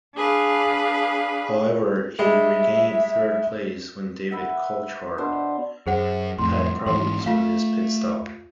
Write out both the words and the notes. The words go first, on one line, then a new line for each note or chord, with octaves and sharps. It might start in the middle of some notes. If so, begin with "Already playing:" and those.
However, he regained third place when David Coulthard had problems with his pitstop.
D4 G#4 B4 F5
G3 G#3 E5
B4 E5 F#5
B2 D4 C5
F#2 G#4 C5 F#5
F2 A2 C6
G#2 E3 C6
A3 F4 F5